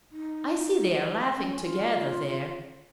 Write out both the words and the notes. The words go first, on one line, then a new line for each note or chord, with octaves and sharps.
I see they are laughing together there.
D#4
C#4
F4